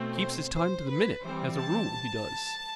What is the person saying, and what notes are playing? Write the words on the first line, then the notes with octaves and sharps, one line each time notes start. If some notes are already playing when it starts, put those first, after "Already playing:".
"Keeps his time to the minute, as a rule, he does."
Already playing: B2 A3 C4
C5
C5
B4
E3 G3 C4 C5
A5